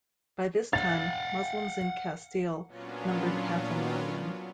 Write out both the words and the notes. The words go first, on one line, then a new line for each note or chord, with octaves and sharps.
By this time Muslims in Castile numbered half a million.
F5 F#5 A6
A#2 F#3 B3 C#4 D4 F4